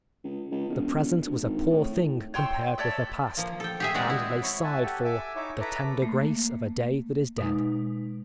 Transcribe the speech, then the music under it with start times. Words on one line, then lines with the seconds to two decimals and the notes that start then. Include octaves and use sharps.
The present was a poor thing compared with the past, and they sighed for "the tender grace of a day that is dead."
0.24 C#2
0.51 C#2
0.69 E1
1.25 D2
1.42 G#1
1.70 A2
2.34 C#5 G5 C6 E6
2.78 A4 C#5 D5 E5
3.37 F3 A#3
3.60 A4 G5
3.80 G4 G#4 E5
3.94 G#3 C4 F#4 D5
4.10 E4
4.43 E4 C#5 B5 C#6
4.64 E5 F#5 G#5 A5
4.84 G4 A4 F#5
5.05 E5 G#5 D6 E6
5.36 D#4 E4 C#5 E5 D6
5.61 A4 B4 E5 A#5 D6
6.02 A3 A#3
7.38 B2 G#3 D#4